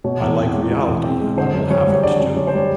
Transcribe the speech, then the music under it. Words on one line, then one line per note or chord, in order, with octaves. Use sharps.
I like reality, and I will have it too.
B2 C#5
E2
C4
G#3
B2
E2
C4
G#3
D3 C5
F#2
C5
F#2 C#5
G3
C#5
D3 D5
F#2
F#2 C#5
C5
G3 C#5